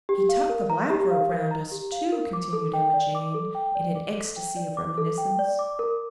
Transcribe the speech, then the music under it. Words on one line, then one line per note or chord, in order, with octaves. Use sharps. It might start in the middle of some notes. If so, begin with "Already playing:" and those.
"He tucked the lap robe round us, too," continued Emma Jane, in an ecstasy of reminiscence.
G4
F5
A#4
A#5
G4
F5
A#4
A#5
G4
F5
A#4
D6
A4
G5
D5
D6
A4
G5
D5
D6
A4
G5
D5
D6
A4
G5
D5
D6
A#4